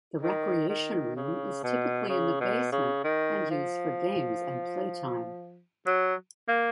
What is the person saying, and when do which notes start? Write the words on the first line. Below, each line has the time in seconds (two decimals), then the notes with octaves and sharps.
The recreation room is typically in the basement and used for games and playtime.
0.22 D#3
0.69 D#3
1.16 C#3
1.63 B2
2.09 C#3
2.41 B2
2.72 C#3
3.04 D#3
3.50 F3
5.86 F#3
6.48 A#3